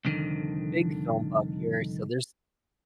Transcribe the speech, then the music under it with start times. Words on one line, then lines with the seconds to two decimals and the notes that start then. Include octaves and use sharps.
big film buff here, so, there's
0.05 C2 F2 D3 D#3